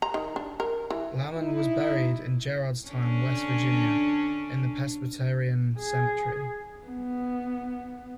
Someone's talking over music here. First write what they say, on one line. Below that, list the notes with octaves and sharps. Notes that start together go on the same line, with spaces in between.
Lamon was buried in Gerrardstown, West Virginia, in the Presbyterian Cemetery.
A#5
D#3
D4
A#4
E3
D#4 E4
D3 C#4 D4
G#4
B3